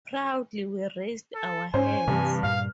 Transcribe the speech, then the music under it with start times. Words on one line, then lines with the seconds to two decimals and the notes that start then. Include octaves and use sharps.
Proudly we raised our hands.
1.35 A4
1.74 G#2 C#4 C5 G#5
2.08 G2 C3 E3 C4
2.43 G2 A#2 G3 F5 F6